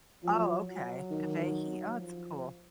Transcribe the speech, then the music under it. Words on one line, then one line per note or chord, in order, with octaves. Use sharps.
Oh okay, "Dhivehi," oh it's cool.
F3 F#3
F#3
D#3
F3